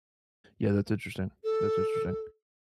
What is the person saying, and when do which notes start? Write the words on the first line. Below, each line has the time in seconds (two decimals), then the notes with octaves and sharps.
Yeah, that's interesting. That's interesting.
1.44 A4